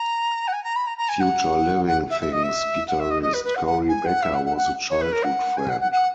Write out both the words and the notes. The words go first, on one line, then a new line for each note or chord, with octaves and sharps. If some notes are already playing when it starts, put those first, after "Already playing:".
Future Living Things guitarist Cory Becker was a childhood friend.
Already playing: A#5
F#5
G#5
A#5
B5
A#5
A#5
G#5
F#5
F#5
E5
E5
D#5
E5
F#5
E5
D#5
D#5
B4
B4
F#5
F#5
G#5
F#5
E5
F#5
F#5
F#5
C#5
B4
A#4
F#5
G#5
F#5
F#5
F#5